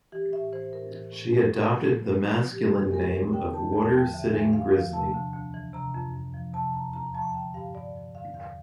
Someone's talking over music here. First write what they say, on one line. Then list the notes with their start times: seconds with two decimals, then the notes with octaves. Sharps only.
She adopted the masculine name of Water Sitting Grizzly.
0.12 E3 G4
0.32 A2 E5
0.52 E3 C5
0.73 A2 A#4
0.93 E3
1.12 A2
1.33 E3
1.52 A2
1.73 F3
1.93 A2
2.12 F3
2.33 A2
2.52 C3 G4
2.73 E2 G4
2.94 E2 A#4
3.13 E3 A#4
3.33 D3 G5
3.53 E2 A5
3.73 E2 A5
3.93 F3 G5
4.13 D3 E5
4.33 E2 E5
4.53 E2 F5
4.73 F3 F5
4.93 C3 A5
5.14 D2
5.34 D2
5.54 E3
5.73 C3 A#5
5.94 F2
6.14 F2
6.34 F3
6.53 C3 A5
6.73 E2 A#5
6.93 E2 A#5
7.14 F3 A5
7.34 D3 G5
7.54 G2 F5
7.74 G2 D5
7.94 F3
8.15 D3 F5
8.34 E2 F5